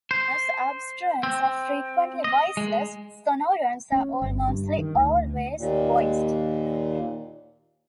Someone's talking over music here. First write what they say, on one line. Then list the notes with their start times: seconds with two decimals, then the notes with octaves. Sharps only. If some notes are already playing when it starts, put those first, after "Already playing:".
Whereas obstruents are frequently voiceless, sonorants are almost always voiced.
0.11 C5
1.23 C4
2.24 D#5
2.57 G#3
3.92 C#4
4.22 G1
4.48 G2
4.78 D#3
4.95 D2
5.58 D#2 A#2